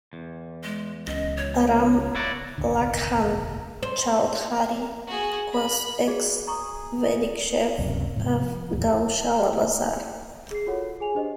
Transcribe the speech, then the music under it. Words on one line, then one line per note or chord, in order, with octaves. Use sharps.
Ram Lakhan Chaudhary was ex-vdc chief of Gaushala Bazar.
E2
G#3
C#2 D#5
C#5
E4 F#4 D5
F1 A#1 D#2 D3
C5
F#4 G#4
B5
F#4 G#4 D5
G#4 A#5 C#6
C#2 F#2 C3 A#3
G#2 C3 F3
F3
D1 E2
G#4 C7
F4 F#4 A4 C#5 F#5
G#4 G#5 F7
D4 G4 C5 D#5